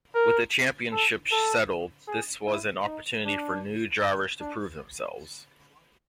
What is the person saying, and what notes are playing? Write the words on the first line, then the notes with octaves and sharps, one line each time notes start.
With the championship settled, this was an opportunity for new drivers to prove themselves.
A#4
A4
A4
G#4
E4
D#4
D4
D4